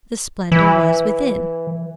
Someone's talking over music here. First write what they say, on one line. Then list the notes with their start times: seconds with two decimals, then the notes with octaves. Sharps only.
The splendor was within.
0.52 E3